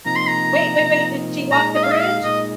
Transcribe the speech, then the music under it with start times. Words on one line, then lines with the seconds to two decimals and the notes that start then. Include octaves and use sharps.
Wait, wait, wait, did she walk the bridge?
0.05 C3 F3 A#3 D#4 A#5
0.16 C6
0.27 A#5
0.78 C3 F3 A#3 D#4
1.51 A#2 G#3 D#4 A#5
1.75 D#5
1.83 F5
1.91 D#5
2.00 F5
2.24 A#2 G#3 D#4 D#5